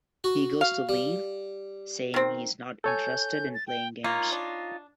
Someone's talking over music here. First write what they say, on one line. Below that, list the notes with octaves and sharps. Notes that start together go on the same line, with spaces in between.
He goes to leave, saying he is not interested in playing games.
F#4
F5
G3
D#3 C4
A4 C#5 G#5 G6
A6
G5
A#3 D#4 F4 C#5
D4